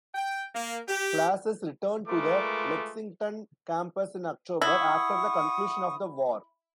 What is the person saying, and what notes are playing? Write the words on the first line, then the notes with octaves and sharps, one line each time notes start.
Classes returned to the Lexington campus in October, after the conclusion of the war.
G5
A#3
G4
G#3 A3 F4 A#4 B4 D6
E4 F#5 C#6 D#6